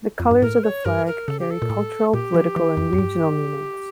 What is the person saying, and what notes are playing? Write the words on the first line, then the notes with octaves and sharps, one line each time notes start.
The colours of the flag carry cultural, political, and regional meanings.
F2
G2
A2 A#4
C#5
G2 A#4
A#4
C#3 A4
G4
A4
A#2
A2
A#2 G4
F3
E3
F2
F2
G2